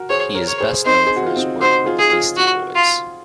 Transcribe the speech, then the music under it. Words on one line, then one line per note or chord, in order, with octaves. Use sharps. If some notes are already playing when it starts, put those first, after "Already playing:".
He is best known for his work with the Beastie Boys.
Already playing: F#4 A#4
G#4 C5 C#5
A#4 C#5
C#5
G#4 C5
C4 D#4 C5
G#4
F#4
F4
C4 D#4
D#4 F#4 C5
F4 G#4
G#4
F4 G#4
F#4
F4